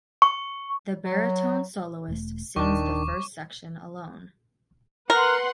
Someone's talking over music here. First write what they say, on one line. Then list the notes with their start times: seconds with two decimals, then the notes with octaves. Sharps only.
The baritone soloist sings the first section alone.
0.22 C#6
1.05 F#3
2.08 E1 A3
2.56 D#1 D#2 D#3 D4 C#6 D6
5.10 A#4 B4 F#5 C6